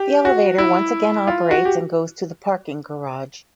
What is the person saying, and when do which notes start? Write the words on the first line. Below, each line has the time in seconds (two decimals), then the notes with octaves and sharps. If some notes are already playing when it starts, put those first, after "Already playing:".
The elevator once again operates and goes to the parking garage.
Already playing: G4
0.25 F#4
0.58 E4
1.27 F4
1.51 F#4
1.65 G4